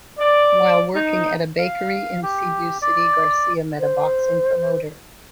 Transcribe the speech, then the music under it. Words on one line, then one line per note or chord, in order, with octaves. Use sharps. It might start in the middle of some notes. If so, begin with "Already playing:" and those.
While working at a bakery in Cebu City, Garcia met a boxing promoter.
D5
D#4
F5
G4
D5
C5